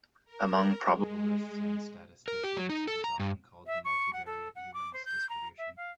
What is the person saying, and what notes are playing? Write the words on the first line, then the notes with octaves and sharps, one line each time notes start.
Among probabilists and statisticians it is often called the multivariate Ewens distribution.
A#4
G#3
A#4
G4
F#3
D#4
A4
A#5
G2
E5
C#6
F#5
A4
F#5
D6
C5
G6
A#5
E5
F5